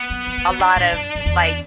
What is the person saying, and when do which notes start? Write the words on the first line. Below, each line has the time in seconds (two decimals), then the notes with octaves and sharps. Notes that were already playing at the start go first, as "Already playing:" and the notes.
a lot of, like
Already playing: B3
0.10 F#3
0.27 F#3
0.37 A3
0.49 E3
0.59 D3 D4
0.76 A2
0.92 F#2
1.15 F#2
1.26 E2